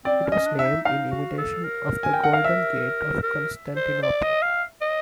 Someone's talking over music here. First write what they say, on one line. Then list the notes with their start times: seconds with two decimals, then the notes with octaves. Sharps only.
It was named in imitation of the Golden Gate of Constantinople.
0.05 C4 D5
0.25 C#4
0.32 D#5
0.46 D4
0.59 E5
0.65 D#4
0.85 D#4 F5
1.11 F#4
1.38 A4
1.64 A#4
2.03 G#5
2.13 G5
2.24 F#5
2.33 F5
2.44 E5
3.23 A#4
3.76 C5
4.02 D5
4.23 D#5
4.42 F5
4.81 D#5